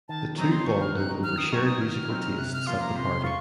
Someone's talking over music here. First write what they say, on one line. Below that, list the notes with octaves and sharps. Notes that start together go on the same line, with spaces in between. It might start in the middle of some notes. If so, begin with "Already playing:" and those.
The two bonded over shared musical tastes at the party.
D#3 A5
F#3 C4 D#4 A#5
C6
D#3 C#6
F6
F#3 C4 D#4 F#6
D#3 F6
D#6
F#3 C4 D#4 C#6
D#6
D#3 F6
F#3 C4 D#4
C3 F#6
F6
F3 A#3 F4 C6
A#5
C3 C6
F4 C#6